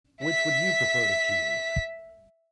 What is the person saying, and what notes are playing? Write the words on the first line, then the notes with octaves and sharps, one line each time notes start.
Which would you prefer to choose?
E5 B6